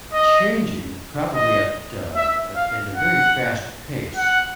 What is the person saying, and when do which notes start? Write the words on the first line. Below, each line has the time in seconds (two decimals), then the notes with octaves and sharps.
changing probably at a a at a very fast pace.
0.13 D#5
1.34 D#5
2.15 E5
2.56 F5
2.96 F#5
4.17 F#5